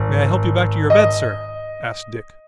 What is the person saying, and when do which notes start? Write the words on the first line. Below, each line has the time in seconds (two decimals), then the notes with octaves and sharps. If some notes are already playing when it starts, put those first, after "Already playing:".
"May I help you back to your bed, sir?" asked Dick.
Already playing: G#1
0.90 D#5